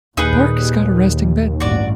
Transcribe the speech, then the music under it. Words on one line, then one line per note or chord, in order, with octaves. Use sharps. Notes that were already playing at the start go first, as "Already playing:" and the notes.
The park has got a resting bench.
D#2 A#2 D#4 G#4 B4
A1 G2 F#4 D5